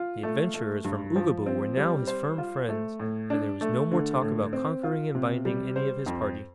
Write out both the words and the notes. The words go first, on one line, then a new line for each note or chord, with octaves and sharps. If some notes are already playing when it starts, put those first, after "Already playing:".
The adventurers from Oogaboo were now his firm friends, and there was no more talk about conquering and binding any of his party.
Already playing: F4
A3
A3
G2
F3
C4
G3
C5
F4
A3
A2
D4
A3
D3
A2
C4
F4
C3
G3
C5
F2